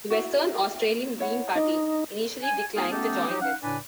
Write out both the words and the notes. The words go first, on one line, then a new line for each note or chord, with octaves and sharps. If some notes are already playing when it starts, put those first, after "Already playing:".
The Western Australian Green Party initially declined to join this.
E4 F#4
E4 C#5 F#5
D4 D#4 D#5
G#5
A3 B3 D#4 F4 G#4
A3 B3 C#4 D#4 G4 A4
F#3 D#4 G4
C#4 D#4 F5 F#5
A2 C#3 D4 B4 D5 G#5